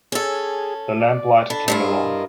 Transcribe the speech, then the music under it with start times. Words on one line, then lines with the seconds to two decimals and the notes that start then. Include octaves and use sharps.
The lamplighter came along.
0.12 C#4 G#4 A4
1.00 D5
1.50 D4 A4 A5 B5
1.68 G2 E4 F4
1.83 A#4 D#5